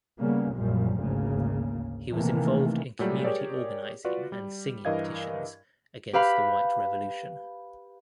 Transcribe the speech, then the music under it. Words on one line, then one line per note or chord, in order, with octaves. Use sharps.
He was involved in community organizing and signing petitions against the White Revolution.
C#3 G3 A#3 B3
A#1 F#2 A#2 F3 G3
G#1 D2 C#3 A#3
C3 D#3 E3 A3 A#3
A#2 F#3 G3 A3
G4 G#4 A#4 C#5 D5
F4 F#4 B4 D5
G3
G2 E3 A#4 D#5 F5 G#6
G4 B4 F5 B5